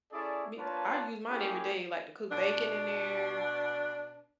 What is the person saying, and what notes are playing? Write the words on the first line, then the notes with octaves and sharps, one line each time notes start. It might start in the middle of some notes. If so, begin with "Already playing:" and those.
Meat, I use mine every day, like to cook bacon in there,
C#4 E4 G#4 A4 D5
A#3 D4 F4 B4 C#5 A5
A#3 C#4 E4 G4 G#4 A#4
B2 D4